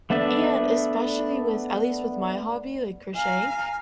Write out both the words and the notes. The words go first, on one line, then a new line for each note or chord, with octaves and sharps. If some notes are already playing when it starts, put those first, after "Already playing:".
And especially with, at least with my hobby, like crocheting
A3 B3 D4 D5 E5
F5 G#5 A#5